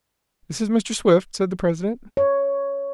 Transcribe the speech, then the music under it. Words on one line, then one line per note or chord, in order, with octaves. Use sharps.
"This is Mr. Swift," said the president.
C#5